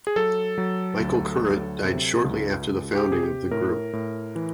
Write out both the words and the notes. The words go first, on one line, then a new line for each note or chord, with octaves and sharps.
Michael Current died shortly after the founding of the group.
G#4
F#3 A4
F#3
D2
F#3
C3
C#2
C#2
G4
C3 G#4
G4
A2 A#4
A2
E3